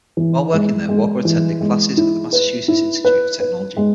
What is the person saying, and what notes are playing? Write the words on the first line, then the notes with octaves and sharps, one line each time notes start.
While working there Walker attended classes at the Massachusetts Institute of Technology.
E3
G#3
G#3
E3
G#3
E4
B4
E4
B4
B4
G#3